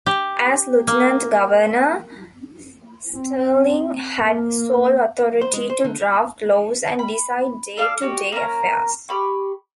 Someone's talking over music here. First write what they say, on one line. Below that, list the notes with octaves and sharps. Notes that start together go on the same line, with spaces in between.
As Lieutenant Governor, Stirling had sole authority to draft laws and decide day-to-day affairs.
G4
A#3
C4
A#3
C5
G#3
C5
D3
B5
A4 D5 F5
F#4 G4 D5
A#3 C#4 A#5
G4 B5 C#6